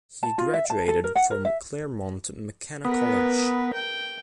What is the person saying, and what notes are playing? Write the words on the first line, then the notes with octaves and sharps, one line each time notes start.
He graduated from Claremont McKenna College.
A5
F4
E5
A5
A4
A#4
F#5
A#4
E5
B3 A#4 B4
G5